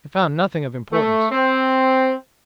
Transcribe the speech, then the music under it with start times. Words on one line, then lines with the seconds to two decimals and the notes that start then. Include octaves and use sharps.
They found nothing of importance.
0.93 A3
1.32 C4